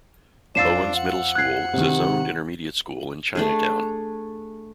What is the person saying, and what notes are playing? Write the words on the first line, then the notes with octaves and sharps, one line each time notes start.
Owens Middle School is a zoned intermediate school in Chinatown.
F2 D4 F4 E6 A6 C7 E7
F#5
F#6 G#6 C7
C3 D#3
A3 D4 G#4